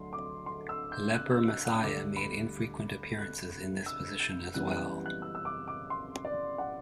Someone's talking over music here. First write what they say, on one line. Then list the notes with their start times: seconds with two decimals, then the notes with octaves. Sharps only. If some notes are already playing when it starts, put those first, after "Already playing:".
"Leper Messiah" made infrequent appearances in this position as well.
Already playing: D2 D3 F#3 C6
0.13 D6
0.46 C6
0.69 E6
0.92 G6
1.15 F#6
1.32 E6
1.48 F#6
1.65 F#6
1.83 D2 D3 G3 D6
2.16 B5
3.19 F#6
3.86 E6
4.20 G6
4.54 F#2 E3 G3 B3 F#6
4.72 F#6
5.06 F#6
5.22 E6
5.35 E6
5.45 D6
5.68 D6
5.90 C6
6.25 D5
6.58 F#5